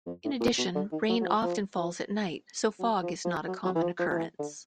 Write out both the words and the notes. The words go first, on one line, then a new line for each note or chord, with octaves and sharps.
In addition, rain often falls at night, so fog is not a common occurrence.
F2
A2
A#2
B2
D3
D#3
F#3
F#3
F3
F3
F3
F#3
F3
F3
F#3
F#3
E3
F3
F3
F3
E3
D3